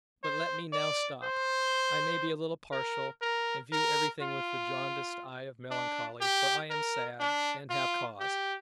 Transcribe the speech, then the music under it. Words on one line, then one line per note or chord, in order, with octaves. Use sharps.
But let me now stop; I may be a little partial, and view everything with the jaundiced eye of melancholy--for I am sad--and have cause.
C5
D5
C5
A#4
A#4
A#4
F4
D4
G4
A#4
D4
F4
G4